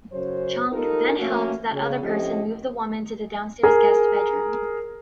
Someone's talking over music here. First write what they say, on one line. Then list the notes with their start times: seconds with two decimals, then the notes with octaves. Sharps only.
Chung then helped that other person move the woman to the downstairs guest bedroom.
0.12 F#2 C#3 F#3 F#4 C5 C#5
0.72 D#4 F4 G4 A4 A#4
1.18 F3 A3 A#3 C#4 F#4
1.71 C#3
2.02 A2 F3 C4 C#4 G4 D#5
3.63 G#4 A#4